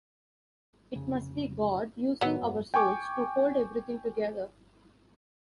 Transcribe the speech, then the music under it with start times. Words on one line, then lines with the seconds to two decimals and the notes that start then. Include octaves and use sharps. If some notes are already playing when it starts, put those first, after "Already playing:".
It must be God, using our souls, to hold everything together.
0.95 F1 C#3
2.21 A2 D#3 F#3 B3
2.42 F1 G2
2.74 G5 G#5 C#6 D6